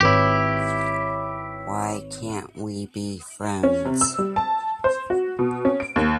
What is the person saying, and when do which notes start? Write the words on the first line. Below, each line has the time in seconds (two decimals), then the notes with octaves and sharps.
Why Can't We Be Friends?
0.01 G#1 E4 G4 B4 C#5
3.63 C#4
3.85 C3
4.01 E6
4.18 G3
4.36 A5
4.84 C5
5.10 F#4
5.39 B2
5.65 C#4
5.80 D7
5.96 D#2